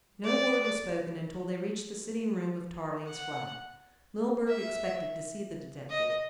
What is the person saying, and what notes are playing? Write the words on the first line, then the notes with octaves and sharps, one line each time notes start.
No word was spoken until they reached the sitting-room of Tarling's flat. Milburgh expected to see the detective.
D5
F#5
E5
D#5